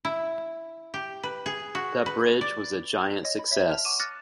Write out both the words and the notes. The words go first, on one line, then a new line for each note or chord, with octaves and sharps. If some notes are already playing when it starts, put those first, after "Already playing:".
The bridge was a giant success.
E4
G4
B4
G#4
F#4
B4
D5
C#5 D#5
B5
C#5 E5
A5 F6 F7
F#5 C#6 D6 D#7 E7
D6 F6 F#6 A6 A#6 C#7